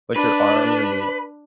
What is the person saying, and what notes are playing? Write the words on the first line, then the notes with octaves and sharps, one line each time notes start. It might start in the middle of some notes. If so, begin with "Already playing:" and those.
with your arms in the ai
D4 B4